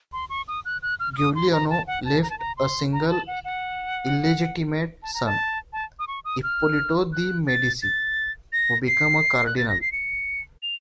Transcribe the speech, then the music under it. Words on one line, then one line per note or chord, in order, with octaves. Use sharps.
Giuliano left a single illegitimate son, Ippolito de' Medici, who became a cardinal.
C6
C#6
D#6
F#6
F#6
F6
F6
D#6
C6
A#5
A5
F#5
A5
A#5
A5
A#5
C6
A#5
A5
F#5
F#5
A5
A#5
A5
A5
D#6
C#6
D#6
F6
F#6
A6
A6
A#6
C7
F#6
A6
A#6
C7
C#7
F7